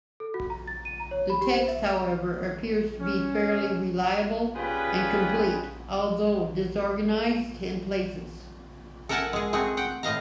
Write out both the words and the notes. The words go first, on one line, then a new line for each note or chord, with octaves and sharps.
The text, however, appears to be fairly reliable and complete, although disorganized in places.
A4
F#4
A#5
A6
D#7
A#5
C#5
B5
G4
C5
E5
C#4
G3 C#4 F4 G#4 B4
A4 A#4 E5 F#5 G#5 A5
G#3 G#4
A3 C4 F#4 G#4
F#5 G5
A2 D#5 F5 A#5